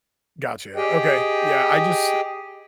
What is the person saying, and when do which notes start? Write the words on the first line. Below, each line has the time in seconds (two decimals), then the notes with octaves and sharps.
gotcha. Okay, yeah. I just
0.76 G4 G#4 D#5 G5